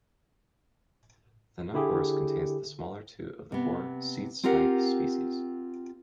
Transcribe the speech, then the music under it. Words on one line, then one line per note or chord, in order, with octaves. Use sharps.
"Thinocorus" contains the smaller two of the four seedsnipe species.
D3 E4 G4 G#4
C3 B3
C4 F4 G4 A#4 F#5